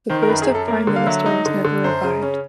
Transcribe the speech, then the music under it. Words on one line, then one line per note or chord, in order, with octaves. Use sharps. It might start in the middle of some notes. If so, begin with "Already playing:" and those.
The post of Prime Minister was never revived.
D#3 C5
A#4
F#2 B4
G#4
F#2
A4
A#3 A#4
D3
F5
F#3 E5
D#4
D3
D3
F#2 C5
C#3
C#4